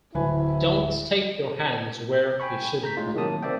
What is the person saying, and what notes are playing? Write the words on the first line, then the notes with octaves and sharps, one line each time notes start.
Don't stick your hands where you shouldn't.
D1 E4 B4 G#5
G5 G#5 B5 C#6
A#5 G6 B6
A2 G#3 D#4 F4
C3 D#3 F#3 A#3 A5 D#6
A#3 C4 D5 E5 G5